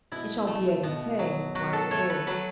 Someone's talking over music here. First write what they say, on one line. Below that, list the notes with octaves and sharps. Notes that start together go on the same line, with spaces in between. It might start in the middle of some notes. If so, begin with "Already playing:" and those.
"It shall be as you say," replied the Wolf.
B2 E4
A3
B2
F#3
F#3 F#4
A4
A3 C#5
B4
F#3 B4